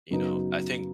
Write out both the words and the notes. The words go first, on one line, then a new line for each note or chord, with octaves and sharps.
You know, I think,
F#2 C#3 F#3 B3 D#4